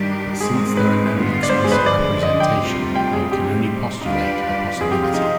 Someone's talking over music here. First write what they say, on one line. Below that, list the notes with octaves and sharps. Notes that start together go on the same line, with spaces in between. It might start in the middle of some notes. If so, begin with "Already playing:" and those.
But since there are no explicit representation, one can only postulate a possibility.
Already playing: G2 D#3 G3 D4 G4
G#2 D#3 G#3 C4 G#4
B4
G2 D3 G#3 B3 F4
D5
C5
G#4
B4
C5
D3 F3 G#3 D5
D#5
G5
D2 C3 G3 C4 F4
G5
G#4
C3 G3 C4 G4
D#4
G3 D4 F4 G4 B4 D5
F4
C3 F3 C4 G#4
G4
F4
D#4